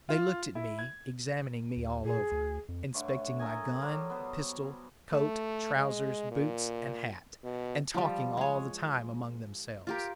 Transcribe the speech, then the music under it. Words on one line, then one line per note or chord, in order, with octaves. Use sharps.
They looked at me, examining me all over, inspecting my gun, pistol, coat, trousers, boots, and hat, and talking all the time among themselves.
F4
E4
G#6
D#2
A#2 G#4
D2
F2
G2 D3 A3 C#5
A4 A#4 D#5 G#5
F#3 G3 C5
B3 C5
A3
G#3
A#2
B2
F3 G3
G#3 C#5
F4 G4 A#4